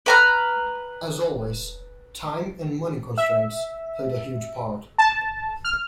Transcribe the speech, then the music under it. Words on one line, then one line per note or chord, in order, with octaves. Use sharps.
As always, time and money constraints played a huge part.
B4 A#5 F6
E5
A5
F6